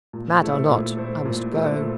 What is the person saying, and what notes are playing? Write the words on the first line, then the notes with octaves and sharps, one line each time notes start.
"Mad or not, I must go."
A#2
A3 E4 A4 C5
A#2
A3 E4 A4 C5
A#2
A3 E4 A4 C5
A#2